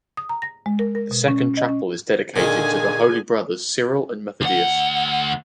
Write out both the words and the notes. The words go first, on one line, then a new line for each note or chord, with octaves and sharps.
The second chapel is dedicated to the Holy Brothers Cyril and Methodius.
D#6
A#5
A#6
G#3
A#4
A#4
B2
C#4
C#4
D#5
C#4
A#2 D3 D#3 G#4 G#5
D2 F#5